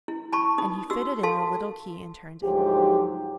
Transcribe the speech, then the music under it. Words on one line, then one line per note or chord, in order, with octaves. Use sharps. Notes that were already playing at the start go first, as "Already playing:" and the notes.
And he fitted in the little key and turned it.
E4
A5 B5 C#6
D#4 D#6
F#4 E6
A4 F5 A5 C6
D2 G#2 F3 F#3 G4